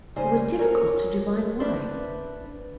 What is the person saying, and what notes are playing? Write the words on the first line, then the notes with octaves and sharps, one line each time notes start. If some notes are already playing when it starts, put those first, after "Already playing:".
It was difficult to divine why.
C#3 G3 G#3 D#4 C5 G#5
C#4 F#4 A4 A#4 C#5
C4 D4 E4 B4